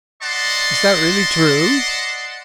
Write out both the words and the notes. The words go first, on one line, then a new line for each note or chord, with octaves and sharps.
"Is that really true?"
D5 D#5 F#5 A5 C6